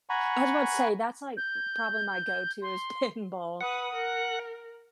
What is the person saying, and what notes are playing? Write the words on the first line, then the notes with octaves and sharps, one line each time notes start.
I was about to say that's, like, m probably my go to is pinball.
F#5 G#5 A#5 B5 C#6
G6
C6
B4 F#5 D#6
A#4